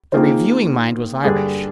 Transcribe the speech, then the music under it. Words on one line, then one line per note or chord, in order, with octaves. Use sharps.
The reviewing mind was Irish.
D#3 A#3 F4 G#4 C5
G2 D3 G3 D4 G#4